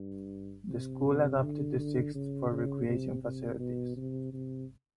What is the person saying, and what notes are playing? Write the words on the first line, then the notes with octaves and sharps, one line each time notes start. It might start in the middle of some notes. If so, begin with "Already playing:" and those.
The school adapted the sixth for recreation facilities.
Already playing: G2
C3
C3
D3
D3
C#3
C#3
C3
C3
B2
C3
C3